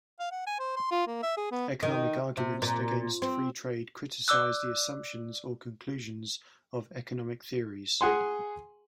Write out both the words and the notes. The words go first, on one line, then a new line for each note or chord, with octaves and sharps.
Economic arguments against free trade criticize the assumptions or conclusions of economic theories.
F5
F#5
G#5
C5
C6
F4
A#3
E5
G#4
B3
D#3
C3
A#2
C4
D5 D6 E6 F#6
G#4 F#5 G#5 C6